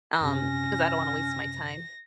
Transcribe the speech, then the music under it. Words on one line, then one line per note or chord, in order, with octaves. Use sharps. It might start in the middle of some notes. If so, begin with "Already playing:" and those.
um, because I don't want to waste my time.
F#2 C3 C#4 A#6